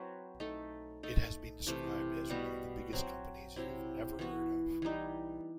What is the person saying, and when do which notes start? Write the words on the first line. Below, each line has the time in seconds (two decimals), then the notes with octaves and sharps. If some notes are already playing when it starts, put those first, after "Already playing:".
It has been described as one of the biggest companies you've never heard of.
Already playing: F#3 C4 F#4 B4
0.40 A3 D#4 A4
1.03 A3 D#4 A4
1.67 C3 E3 A3
2.30 B2 G3 B3 F#4
2.93 F#3 C4 F#4
3.56 C3 F#3 C4 E4
4.19 E3 B3 F#4
4.82 E3 G3 D#4